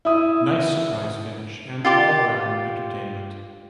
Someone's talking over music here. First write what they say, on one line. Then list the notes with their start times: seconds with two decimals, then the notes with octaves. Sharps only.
Nice surprise finish and all-round entertainment.
0.05 E4 D#6
1.84 F4 G4 D5